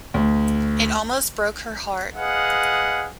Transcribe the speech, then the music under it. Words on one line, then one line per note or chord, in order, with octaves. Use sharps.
It almost broke her heart.
D2
G#4 B4 D#5 F5 F#5